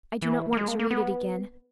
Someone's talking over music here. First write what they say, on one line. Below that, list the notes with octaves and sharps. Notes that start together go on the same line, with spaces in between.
I do not want to read it again.
E3
A#3
G#3
A#3
A#3
B3